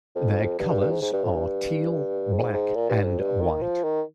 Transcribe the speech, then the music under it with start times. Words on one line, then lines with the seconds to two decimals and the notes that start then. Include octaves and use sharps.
Their colours are teal, black and white.
0.16 F2
0.59 G2
0.69 G2
0.81 G2
0.91 G#2
1.02 G#2
1.13 G2
1.24 F2
1.35 G2
2.33 G#2
2.54 G#2
2.76 A#2
2.90 G2
3.04 F2
3.19 G2
3.41 D#3
3.62 F3
3.84 D#3